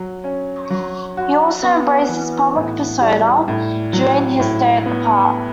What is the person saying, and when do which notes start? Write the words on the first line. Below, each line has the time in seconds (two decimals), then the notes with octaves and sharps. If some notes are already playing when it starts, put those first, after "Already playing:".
He also embraced his public persona during his stay at the park.
Already playing: F#3
0.24 C#4
0.70 F#3
1.17 F#4
1.63 B3
2.09 E3
2.55 A2
3.01 G3
3.48 A2
3.93 F#3
4.40 A2
4.86 B3